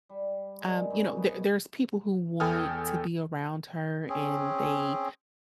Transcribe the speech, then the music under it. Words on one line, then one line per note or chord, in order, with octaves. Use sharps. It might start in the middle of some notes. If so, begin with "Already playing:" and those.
um, you know, there there's people who want to be around her, and they
G3
D#3 G3 G#3
G2 C3 C#4 D#4
B2 A#3 B3
E2 A4 G5 G#5 D#6 F6
C4 C#4 G#4